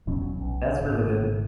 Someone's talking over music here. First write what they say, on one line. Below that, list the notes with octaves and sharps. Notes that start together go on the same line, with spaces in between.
that's really good.
E1 B2 F#3 C#4
B1
G#1